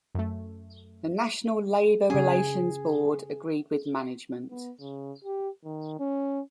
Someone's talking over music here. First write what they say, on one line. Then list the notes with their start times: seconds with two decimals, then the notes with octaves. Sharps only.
The National Labor Relations Board agreed with management.
0.15 F#2 A3
2.10 C#3 C#4 G#4
4.50 B3
4.80 C#3
5.25 G4
5.64 D#3
5.99 C#4